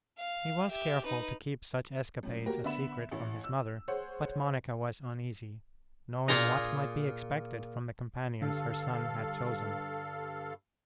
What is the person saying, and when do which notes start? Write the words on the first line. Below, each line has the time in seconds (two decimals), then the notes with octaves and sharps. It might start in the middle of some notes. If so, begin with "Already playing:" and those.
He was careful to keep such escapades a secret from his mother, but Monica was uneasy, knowing what might be expected from the companions her son had chosen.
0.18 F5
0.70 G4 E5
1.05 D#4 B4
2.23 F#2 A2
2.46 A#3 F#4 G4 A#4
2.64 D3 B3 E5 B5 E7
3.11 A1 E4
3.44 E6
3.88 G#4 C5 C#5 F#5
6.28 A#2 F4 G#4 A#5
8.42 G2 D3 A4 F5